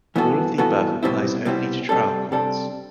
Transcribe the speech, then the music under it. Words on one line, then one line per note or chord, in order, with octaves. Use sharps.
All of the above applies only to trial courts.
G2 E3 B3 F#4 A4
G2 E3 B3 F#4 A4
C2 B2 G3 C4 E4
C2 B2 G3 C4 E4
C3 G3 D4 A4
C3 G3 D4 A4